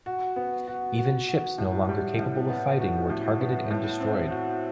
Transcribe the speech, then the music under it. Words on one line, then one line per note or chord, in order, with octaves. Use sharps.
Even ships no longer capable of fighting were targeted and destroyed.
F#4
B3
F#4
F#4
F#4
A2
G3
A2
B3
F#4
A2
B3
A2
C4
F#4